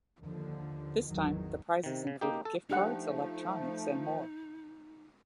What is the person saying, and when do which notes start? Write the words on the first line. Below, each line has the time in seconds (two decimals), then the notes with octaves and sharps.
This time, the prizes included gift cards, electronics, and more.
0.20 D#2 D3 F3
1.08 G#1 E2 D#3 F#3
1.84 C3 D#3
2.07 C#3
2.21 A#3 D#4 G4
2.45 A4
2.70 F3 A3 D4 D#4 G4 F#5